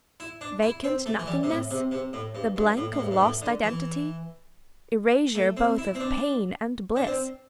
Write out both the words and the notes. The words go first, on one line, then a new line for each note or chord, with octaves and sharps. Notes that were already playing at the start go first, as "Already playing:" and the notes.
Vacant nothingness? The blank of lost identity? Erasure both of pain and bliss?
E4
D4
E4
C4
A3
E3
G3
C3
A2
C3
C3
A2
G2
G2
A2
A2
G2
G2
A2
D3
E3
A3
C4
E4
C4
D4
D4
C4